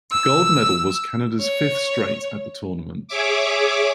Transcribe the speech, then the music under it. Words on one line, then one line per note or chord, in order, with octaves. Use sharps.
The gold medal was Canada's fifth straight at the tournament.
E6
C#5
G#4 C#5 E5 D6